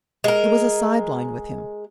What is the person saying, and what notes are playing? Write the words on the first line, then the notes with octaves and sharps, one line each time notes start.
It was a sideline with Him.
G#3 A#4